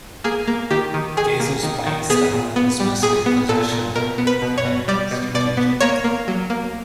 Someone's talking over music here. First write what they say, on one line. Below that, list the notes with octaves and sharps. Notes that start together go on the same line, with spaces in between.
Gausel's playing style is mostly positional and strategic.
A#3 G#4
A#3
D#3 G4
D#3
D#3 G#4
A#3
D#3
D#3
B3 G#4
A#2
B3
G3
A#2 G#4
B3
A#2 A4
A#2
B2 A#4
B3
B4
B2
C#5
B2
G3 D5
B2
B2 D5
B3
A#3 C#5
A#3
F#3
A#3